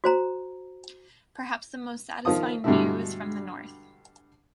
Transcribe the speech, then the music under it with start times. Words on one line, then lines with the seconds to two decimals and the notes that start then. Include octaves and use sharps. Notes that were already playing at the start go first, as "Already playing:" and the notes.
Perhaps the most satisfying view is from the north.
0.04 F#4 C5 A#5
2.25 D#3 F3 F4 D#6
2.64 G2 B2 D3 G#3 A3 E4